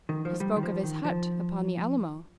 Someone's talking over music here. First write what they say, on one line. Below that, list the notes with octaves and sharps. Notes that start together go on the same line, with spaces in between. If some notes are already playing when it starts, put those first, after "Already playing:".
He spoke of his hut upon the Alamo.
D#3
F3
G3
D#3
F3
D#3
F3